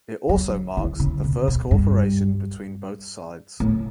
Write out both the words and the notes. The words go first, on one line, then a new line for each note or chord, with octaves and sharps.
It also marks the first cooperation between both sides.
F#3
E3
C#3
B2
B2
G2
A2